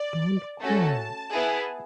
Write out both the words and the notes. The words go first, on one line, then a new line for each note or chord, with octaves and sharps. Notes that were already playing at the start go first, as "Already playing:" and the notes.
Don’t cry.
Already playing: D5
A3 C#4 F#4 A4 A5
B3 E4 G#4